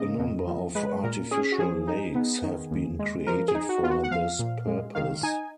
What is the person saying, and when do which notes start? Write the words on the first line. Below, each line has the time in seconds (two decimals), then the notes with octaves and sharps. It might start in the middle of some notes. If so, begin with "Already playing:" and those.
A number of artificial lakes have been created for this purpose.
Already playing: C#3 A#3 D#5
0.19 F2
0.47 F3
0.75 G#3 B4
1.03 A#2 A#4
1.31 C#4 G#4
1.52 F#4
1.59 F3 G#4
1.87 D#4
2.15 B3
2.43 D#3
2.71 D#2
2.99 G#3
3.27 F3 A#4
3.48 G#4
3.55 D#4
3.69 F#4
3.83 B3 F4
3.90 F#4
4.04 F#5
4.11 F3 F5
4.39 A#2
4.67 G#3
4.95 D#3 F5
5.23 D#4 G#5